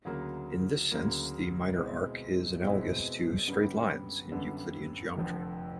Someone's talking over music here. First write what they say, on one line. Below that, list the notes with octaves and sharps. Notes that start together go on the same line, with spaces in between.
In this sense, the minor arc is analogous to "straight lines" in Euclidean geometry.
D2 C#3 F#3 A#3
D2 C#3 F#3 A#3
B2 G#3 C4 E4
B2 G#3 C4 E4
F#2 D3 G3 B3
F#2 D3 G3 B3
F1 F2 D3 F3